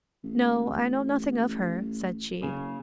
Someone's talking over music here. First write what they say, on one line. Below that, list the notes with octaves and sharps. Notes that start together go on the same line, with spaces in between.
'No, I know nothing of her,' said she.
A1
F#1 C#3